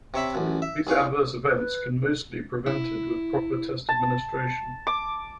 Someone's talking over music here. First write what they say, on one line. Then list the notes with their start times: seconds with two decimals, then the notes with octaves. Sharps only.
These adverse events can mostly prevented with proper test administration.
0.14 C3 C#5 E5 B5
0.35 A1 F#2
0.62 E5
0.87 C2 G#4 C#5 F5
1.53 B4
2.66 E4
3.89 A5
4.87 D6